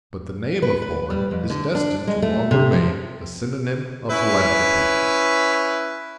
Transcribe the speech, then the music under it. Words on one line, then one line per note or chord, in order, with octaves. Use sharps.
But the name of Pullman is destined to long remain a synonym of philanthropy.
B4
B4
G3
F2
D3
D4
G#3
A3
C3
F3
C#4 E4 B4